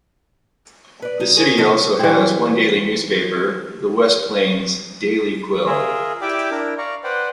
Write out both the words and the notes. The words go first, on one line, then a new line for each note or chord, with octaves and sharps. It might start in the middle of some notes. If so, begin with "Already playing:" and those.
The city also has one daily newspaper, the "West Plains Daily Quill".
B4 D5
D#4
G#4 A#4 C5 C#5
G2 C3 F3 A#3 D#4
E3 C4
F4 G#4 A#4 E5
E4 G4 D5 E5 G5 D6
D4 E4 A#4
D5 F5 A#5 C#6
B4 C5 D5 F#5 G5